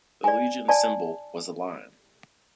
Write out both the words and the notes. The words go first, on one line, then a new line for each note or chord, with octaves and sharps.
The legion symbol was a lion.
D5 G#5
D5 G#5 A5